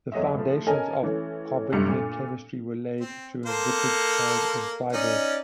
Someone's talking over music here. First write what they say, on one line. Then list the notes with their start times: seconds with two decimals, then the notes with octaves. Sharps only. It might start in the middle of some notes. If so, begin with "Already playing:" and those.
The foundations of carbanion chemistry were laid during Wittig's time in Freiburg.
0.12 E2 F#3 D#5 E5
0.35 A2 F3
0.67 C#4 A#4 D#5 G#5 A5
1.03 E3 A3 C#4
1.72 G1 F#2 A2 G3 G4 C#7
1.88 A#2 A3
3.00 C4
3.46 A#3 A4 C5
4.92 C#4 D#4 D5